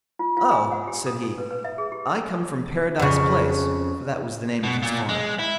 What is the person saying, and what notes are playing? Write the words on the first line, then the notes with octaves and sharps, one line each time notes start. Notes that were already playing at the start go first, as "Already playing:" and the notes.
'Oh!' said he, 'I come from Paradise Place', for that was the name of his farm.
F4
F4
G#5
F#5
G4
D#6
A4
B4
B4
E5
G#4
G4
F2 C#3
B2
A#2
G#3
E4